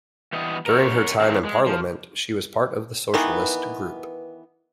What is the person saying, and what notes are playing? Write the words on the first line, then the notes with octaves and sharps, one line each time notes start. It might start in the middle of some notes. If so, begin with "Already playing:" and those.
During her time in Parliament, she was part of the Socialist Group.
E3 G3 B3 D#5
A#4 C#5
D#3 E3 A#3 C4
G#3
F3
D#3 E3 B3